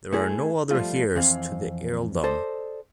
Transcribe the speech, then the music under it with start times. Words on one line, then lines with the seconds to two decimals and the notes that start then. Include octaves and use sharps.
There are no other heirs to the earldom.
0.13 A3 E4 G#4
0.71 F3 G3 A3 F4
1.15 F2 E3 C4 F5
2.24 A4 C5 D5 D#5